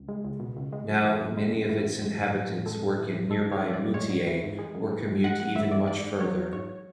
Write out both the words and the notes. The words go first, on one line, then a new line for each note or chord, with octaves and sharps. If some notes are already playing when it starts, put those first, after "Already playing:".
Now, many of its inhabitants work in nearby Moutier or commute even much further.
Already playing: C#2
G#3
C#2
B2
C#2
G#3
F#2
E3
F#2
G#3
F#2
E3
F#2
G#3
A2
E3
A2
G#3 A4
A2
E3
A2
G#3 A4
G#2
C#5
E3
D5
G#2
G#3 C#5
G#2
E3
G#2
G#3
F#2
E3
F#2
G#3 F#5
F#2 F#5
E3 E5
F#2 D5
G#2 D5
G#2
F#3 C#5
F#3
G#2 C#5